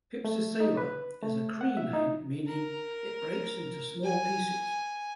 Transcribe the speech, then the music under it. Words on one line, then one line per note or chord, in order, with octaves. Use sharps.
"Pipsissewa" is a Cree name meaning "It-breaks-into-small-pieces".
A3
D#4
B4
A3
F#5
E5
D#4
A#4
G#5